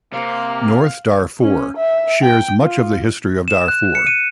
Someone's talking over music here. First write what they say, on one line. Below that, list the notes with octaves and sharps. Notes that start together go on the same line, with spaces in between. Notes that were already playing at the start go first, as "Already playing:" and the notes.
North Darfur shares much of the history of Darfur.
C3 A#3 F5
C#4
E5
G5
F4
E7
F#6
C#7
D#7